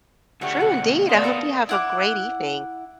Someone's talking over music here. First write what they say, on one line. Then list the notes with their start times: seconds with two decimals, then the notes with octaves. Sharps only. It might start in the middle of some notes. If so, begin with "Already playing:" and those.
True indeed, I hope you have a great evening.
0.41 D2 G3 A3 C#5 F#5
0.60 D2 B2 F#4
1.09 B3 C5 D5 F5 D#6
1.24 A4 A#4 F5
1.69 E4 F#5 D6